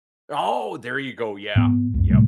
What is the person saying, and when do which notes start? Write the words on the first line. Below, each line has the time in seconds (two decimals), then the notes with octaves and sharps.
Oh, there you go, yeah, yep.
1.56 G#2 B3
1.94 C#2 F#2
2.10 A2 C3 G3 A3